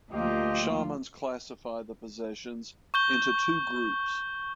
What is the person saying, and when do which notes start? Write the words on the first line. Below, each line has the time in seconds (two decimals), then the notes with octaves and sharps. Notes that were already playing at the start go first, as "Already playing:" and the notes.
Shamans classify the possessions into two groups.
0.11 D2 F3 A#3 F4 G4 D#5
2.94 C#6 G6 G7